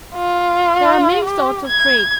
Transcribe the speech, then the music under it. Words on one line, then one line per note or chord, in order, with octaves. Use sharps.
There are many sorts of trades.
F4
G4
G#6